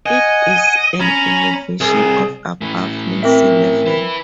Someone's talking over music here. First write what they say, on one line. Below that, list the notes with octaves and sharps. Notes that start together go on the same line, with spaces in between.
It is at an elevation of above mean sea level.
D#5 F#5 G#5
C#4 A#5 B5
C2 G#4
E3 A3
C4 A#4 E5
E4 B4